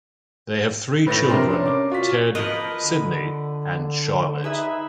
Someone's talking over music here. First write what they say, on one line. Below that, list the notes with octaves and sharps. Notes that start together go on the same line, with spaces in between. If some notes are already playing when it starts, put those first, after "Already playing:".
They have three children: Ted, Sidney, and Charlotte.
A2 B4 A6 A#6
C3 D4 A#4 C6
C#4
D6
F4 F#4 B6
F3 B3 A#4 B4 D#5
D3
D#4 G#4 B4 E5